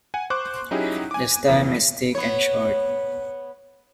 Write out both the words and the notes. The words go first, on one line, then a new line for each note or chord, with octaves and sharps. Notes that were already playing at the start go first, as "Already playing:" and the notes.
The stem is thick and short.
F#5 G#5
C5 C#6 D6 F#6
F#3 C#4 D#4 E4 G4 G#4
G#5 D6
F2 E3 B3
B3 C#5